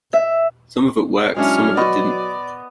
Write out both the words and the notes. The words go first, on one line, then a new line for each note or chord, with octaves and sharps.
Some of it worked and some of it didn't.
E5
F#3 G#3 C#4 D4 E4 F6
B3 D5 D#5 C#6